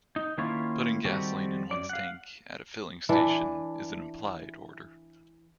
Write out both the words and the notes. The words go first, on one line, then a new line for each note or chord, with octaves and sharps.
Putting gasoline in one's tank at a filling station is an implied order.
D#4
D#3 A#3 C#4 E4 F4 C#5
D#3 G3 C4 F#4 G4 A4
F#2 D5
F5 F#5
E3 D4 E5